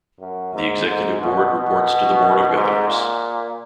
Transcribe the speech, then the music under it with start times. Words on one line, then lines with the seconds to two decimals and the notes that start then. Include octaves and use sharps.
The Executive Board reports to the Board of Governors.
0.20 F#2
0.54 G#2
0.88 G#2
1.21 B2
1.55 B2
2.55 G#2
2.88 A#2